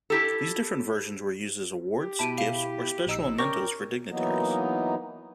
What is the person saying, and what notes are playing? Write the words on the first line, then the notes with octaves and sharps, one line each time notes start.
These different versions were used as awards, gifts, or special mementos for dignitaries.
E4 G4 A4
G4
B2 E4 A5 B5 D7 D#7
F5
A#1 D#4 E6
C#4 A#4 D5 G5 C#6 A#6
E3 F#3 A#3 B3 D#4